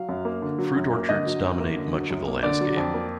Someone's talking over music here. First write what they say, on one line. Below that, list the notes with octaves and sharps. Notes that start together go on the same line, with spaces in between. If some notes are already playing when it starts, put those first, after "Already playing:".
Fruit orchards dominate much of the landscape.
Already playing: F#3 F5
F#2
A#3
D3
F#3
F#2
A#3
D3 D#5
F#3
F#2
A#3
D3
F#3
F#2
A#3
D3 D5
F#3
F2
A#3